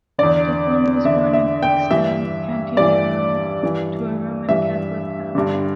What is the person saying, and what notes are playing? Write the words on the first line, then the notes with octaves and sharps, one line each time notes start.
Devlin was born in Cookstown, County Tyrone, to a Roman Catholic family.
E2 D3 D5
E2 D3 E5
E5
G5
G2 E3 E5
G2 E3 D5
G2 E3
G2 E3 E5
G2 D3